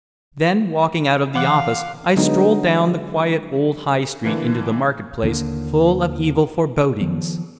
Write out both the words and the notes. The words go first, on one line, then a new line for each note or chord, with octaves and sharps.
Then, walking out of the office, I strolled down the quiet old High Street into the market place, full of evil forebodings.
E3 F5 F#5 D6 F#6
D3 F#3 G#3 B3 D#4
D3 E3 A#3
D#2 D3 A3 A#3
D#3 F3 B3